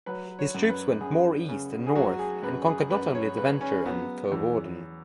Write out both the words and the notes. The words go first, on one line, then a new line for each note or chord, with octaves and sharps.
His troops went more east and north and conquered not only Deventer and Coevorden.
F#3 B4
C#5
F#2
B4
F#2 G#4
C#3
G#4
F#3 F#4
G#4
F#2 B4
G#4
F#2 B4
C#5
C#3 B4
C#4
F#3 B3
E2